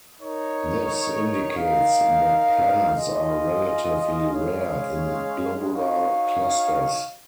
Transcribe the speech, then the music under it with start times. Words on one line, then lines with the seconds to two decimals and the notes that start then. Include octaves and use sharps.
This indicates that planets are relatively rare in globular clusters.
0.19 D#4 A#4 C#5
1.57 D#4 A#4 F5
2.95 F4 G#4 D#5
4.33 G#3 C#4 G#4 C#5 F5
5.71 D#4 F#4 C#5 F5